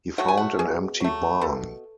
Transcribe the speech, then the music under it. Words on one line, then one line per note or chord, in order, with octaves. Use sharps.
He found an empty barn.
F#3 A3 F#5
G#5
F#5
B2 G#4
F#3 A3
B2 A4